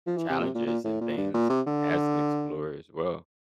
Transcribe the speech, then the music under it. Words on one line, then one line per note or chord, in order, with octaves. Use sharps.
challenges and things, as an explorer as well.
F3
E3
C3
A#2
C3
A#2
A#2
A2
A#2
G2
A#2
C3
D3